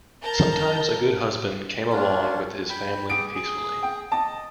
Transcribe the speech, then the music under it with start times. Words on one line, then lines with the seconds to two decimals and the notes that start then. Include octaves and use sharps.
Sometimes a good husband came along with his family, peacefully.
0.24 A#4 A5 A#5 G6
1.91 C#4 D4 F4
2.70 G5 B5
3.10 G4 G#4 D7
3.35 G#4
3.83 G5
4.12 D#5 A5